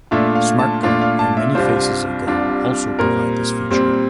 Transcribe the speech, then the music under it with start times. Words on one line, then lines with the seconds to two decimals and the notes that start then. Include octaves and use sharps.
SmartGo and Many Faces of Go also provide this feature.
0.11 A#2 A3 D4 F4 E5
0.35 F5
0.59 A5
0.83 A#2 A3 D4 F4
1.01 F5
1.19 A5
1.37 E5
1.55 C2 C3 G3 D4 F4 C5
2.27 C2 C3 G3 D4 F4
2.99 A#2 G3 C4 A#4
3.71 A#2 G3 C4